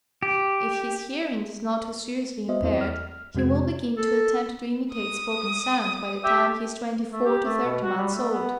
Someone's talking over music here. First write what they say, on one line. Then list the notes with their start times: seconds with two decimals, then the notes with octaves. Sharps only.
If his hearing is not too seriously impaired, he will begin to attempt to imitate spoken sounds by the time he is twenty-four to thirty months old.
0.23 G4
2.48 B3 F#4 C5 D#5 E5
2.62 E2 C4 E4 C5 D#5
2.81 F6
3.35 F2 C3 G#3 C4 F#4 G#6
3.97 A4
4.92 D#6
6.24 G4 E5
7.13 A3
7.25 G4
7.45 A3
7.65 B2
7.83 F#4
7.98 G3
8.15 A3
8.31 B3